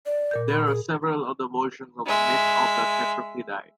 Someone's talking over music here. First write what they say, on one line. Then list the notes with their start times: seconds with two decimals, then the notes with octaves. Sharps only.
There are several other versions of the myth of the Kekropidai.
0.06 D5
0.31 A#2 A#4 G6
0.49 B5
0.66 G#4
2.06 G#3 E5